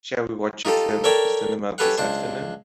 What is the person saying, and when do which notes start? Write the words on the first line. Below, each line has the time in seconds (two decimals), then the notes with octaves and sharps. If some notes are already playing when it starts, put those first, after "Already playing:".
Shall we watch a film at the cinema this afternoon?
0.65 D#4 F4 G4 A4
1.04 A4 A#4 C#5 D5 E5 G5
1.78 C#4 G4 A4 B4 F5 F#5
1.98 C#2 D4 C5